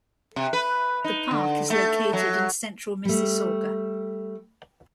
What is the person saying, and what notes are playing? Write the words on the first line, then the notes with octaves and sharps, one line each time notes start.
The park is located in central Mississauga.
C3
B4
D#4
D3
A3
F#3
G3 A3